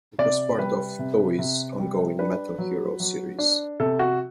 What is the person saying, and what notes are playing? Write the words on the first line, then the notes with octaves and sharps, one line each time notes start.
It was part of Toei's ongoing Metal Hero Series.
C3 D5
G3 B4
C3
C3
G3
D4 B4
F#3
F#3
D4
C3 A4
F#4